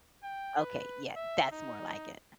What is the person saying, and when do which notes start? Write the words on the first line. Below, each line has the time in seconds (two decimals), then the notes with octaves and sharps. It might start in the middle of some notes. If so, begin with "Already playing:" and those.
Okay, yeah, that's more like it.
0.23 G5
0.58 B4
1.16 E5
1.52 D#4